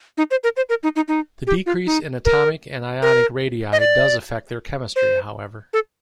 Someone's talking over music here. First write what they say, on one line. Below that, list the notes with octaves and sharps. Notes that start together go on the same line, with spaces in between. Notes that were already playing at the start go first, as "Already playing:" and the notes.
The decrease in atomic and ionic radii does affect their chemistry, however.
D#4
C5
A#4
C5
A#4
D#4
D#4
D#4
G4
F4
D#4
A#4
A#4
D#5
D5
C5
A4